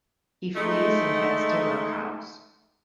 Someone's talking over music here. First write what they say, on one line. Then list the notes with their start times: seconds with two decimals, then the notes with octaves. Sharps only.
He flees and heads to her house.
0.56 G#3 A3 D#4